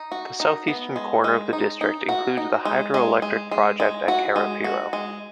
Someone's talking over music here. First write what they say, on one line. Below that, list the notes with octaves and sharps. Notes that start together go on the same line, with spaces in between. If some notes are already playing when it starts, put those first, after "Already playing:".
The southeastern corner of the district includes the hydroelectric project at Karapiro.
Already playing: D#4
F#4
D#4
B3
G#3
G#3
D#4
D#4
F#4
D#4
G#3
G#3
G#3
G#3
G#3
F#4
G#3
F#4
G#3